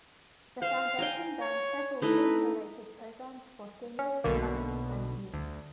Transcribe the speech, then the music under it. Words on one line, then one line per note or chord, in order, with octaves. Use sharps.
The foundation ran several film-related programs for seniors, mothers and youth.
C5 F5
G5 G#5 A#5
C#5
A3 D#4 E4 B4
C#4
B1 B2 D3 A#3
D2